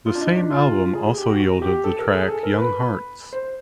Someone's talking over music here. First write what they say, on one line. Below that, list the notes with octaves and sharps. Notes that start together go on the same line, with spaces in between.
The same album also yielded the track "Young Hearts".
F4
D4
D#4
D4
F4
G#4
G#4
G4
F#4
F#4
G4
A4
A#4
G#4
A4
A#4
B4
C5